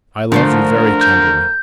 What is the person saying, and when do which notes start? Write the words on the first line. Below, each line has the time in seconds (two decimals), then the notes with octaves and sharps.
I love you very tenderly.
0.32 D3 F3 A3 A#4 C5
1.01 G6